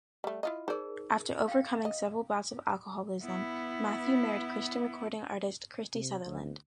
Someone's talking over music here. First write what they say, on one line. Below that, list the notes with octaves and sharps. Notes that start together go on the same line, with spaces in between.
After overcoming several bouts of alcoholism, Matthew married Christian recording artist Christy Sutherland.
G3 A3
E4 F4 D#5
D#4 G#4 A#4 C5 D5
F5 G5
D#5
B3 E4
C3
D2